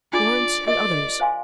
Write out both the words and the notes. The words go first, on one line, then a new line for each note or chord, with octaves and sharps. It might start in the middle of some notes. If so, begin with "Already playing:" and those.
Lawrence, and others.
D4 F4 G#4 D5
G4 A#4 D5 D#5
C5 F5 G#5 C6